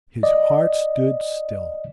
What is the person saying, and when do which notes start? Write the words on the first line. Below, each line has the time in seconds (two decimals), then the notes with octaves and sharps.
His heart stood still.
0.23 D5 D#5